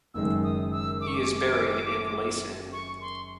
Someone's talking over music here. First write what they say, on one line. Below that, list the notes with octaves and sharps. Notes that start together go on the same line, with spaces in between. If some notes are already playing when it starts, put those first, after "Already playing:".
He is buried in Leysin.
F#1 F#2 D#3 G#3 E6
D#6
E6
D6
C#6
D6
C#6
C6